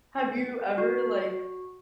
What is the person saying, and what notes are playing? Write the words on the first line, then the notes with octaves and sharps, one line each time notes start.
Have you ever, like,
F#4